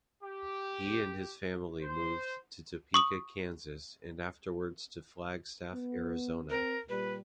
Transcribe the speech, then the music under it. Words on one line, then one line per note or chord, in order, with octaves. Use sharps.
He and his family moved to Topeka, Kansas, and afterwards to Flagstaff, Arizona.
G4
C5
C#6 D#6 F#7
B3
C4 A#4
A#2 G3 B4